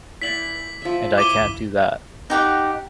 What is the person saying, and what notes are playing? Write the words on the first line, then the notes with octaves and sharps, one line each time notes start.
And I can't do that.
E4 D5 F#5 B6 F#7
F3 E5
E4 D6 D#7 G7
D#4 G4 F#5